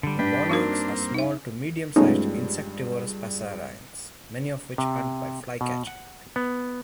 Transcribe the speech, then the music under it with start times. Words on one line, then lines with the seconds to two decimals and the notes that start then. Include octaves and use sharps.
The monarchs are small to medium-sized insectivorous passerines, many of which hunt by flycatching.
0.03 D3 G3
0.19 G2 D4 G4 B4
0.49 A#3 C4 D#4 F#4 A#4
1.14 D#4 E5
1.96 G2 F3 G#3 A3 B3 C#4 D#4
4.78 C3
5.61 B2
5.87 F#5
6.36 B3